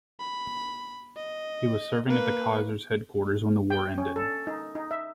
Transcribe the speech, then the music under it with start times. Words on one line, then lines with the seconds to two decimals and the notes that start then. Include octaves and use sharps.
He was serving at the Kaiser's headquarters when the war ended.
0.20 B5
1.17 D#5
2.06 A#3 B4
3.70 G5
3.98 C#4
4.16 A4
4.47 D#4
4.75 D#4
4.91 E5